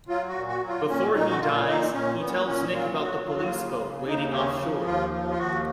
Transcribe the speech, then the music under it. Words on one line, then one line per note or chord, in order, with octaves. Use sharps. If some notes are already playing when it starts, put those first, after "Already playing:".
Before he dies, he tells Nick about the police boat waiting offshore.
F#3 F4
F#4
A#2
F#4
F#3
F4
A#2 C#4
A#2 D#4
F#4
A#2 F4
A#2 D#4
A#2 C#4
A#2 B3
A#2 C#4
F#3 F4
F4
F#3 F#4
D#2 F4
F#4
F4
C#3
C#3
D#2 D#4
C#3 C#4
F3
D#2 F4
F3
F4
D#2 F#4